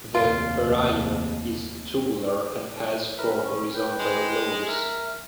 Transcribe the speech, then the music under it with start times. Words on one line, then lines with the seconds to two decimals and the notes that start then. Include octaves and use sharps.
The perianth is tubular and has four horizontal lobes.
0.15 F1 D#2 F4
3.17 A#4 B4 E5
3.43 C#4
3.74 B4 G5
4.00 G#3
4.67 A#4 E5